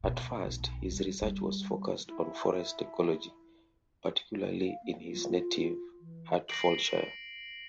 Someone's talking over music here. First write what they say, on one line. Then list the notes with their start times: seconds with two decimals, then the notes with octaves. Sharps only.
At first, his research was focussed on forest ecology, particularly in his native Hertfordshire.
0.04 B2
0.45 B1
0.91 G3
1.22 G3
2.08 E4
4.67 F5
4.83 A#3
5.11 F4
6.00 E3
6.48 A#6 C7 D7 F#7